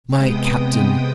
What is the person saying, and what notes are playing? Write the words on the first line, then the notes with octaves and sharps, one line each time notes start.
My Captain!
C3 G#3 B3 G5 D#6